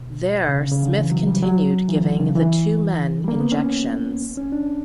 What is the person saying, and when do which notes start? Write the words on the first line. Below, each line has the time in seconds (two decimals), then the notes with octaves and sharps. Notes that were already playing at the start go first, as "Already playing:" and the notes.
There Smith continued giving the two men injections.
Already playing: B2
0.48 C#3
0.60 C#3
0.72 C#3
0.83 D3
0.96 E3
1.11 F#3
1.27 G3
1.42 F#3
1.88 E3
2.04 D3
2.20 C#3
2.36 E3
3.24 G3
3.28 A#3
3.40 B3
3.52 C#4
4.37 C#4
4.52 D4